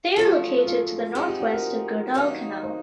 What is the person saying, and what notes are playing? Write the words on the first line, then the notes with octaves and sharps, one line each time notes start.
They are located to the northwest of Guadalcanal.
F#2 C#3 F3 A3 F4
F4
F3 G#3 C4 D#4 F#4
G4
F#4
A#4
G2 D#3 F#3 A#3 D#4
C5